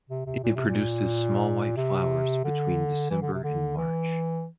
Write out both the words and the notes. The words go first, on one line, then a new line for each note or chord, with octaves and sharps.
It produces small white flowers between December and March.
C3
C3
A#2
C3
A#2
C3
D3
E3
D3
C3
D3
E3